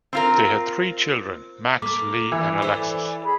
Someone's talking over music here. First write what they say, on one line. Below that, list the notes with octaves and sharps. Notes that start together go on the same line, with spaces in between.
They had three children: Max, Lee and Alexis.
C4 F4 A#4
A#3 A4 B4 D6
E3
A4 B4 C5 D5
G#4 B5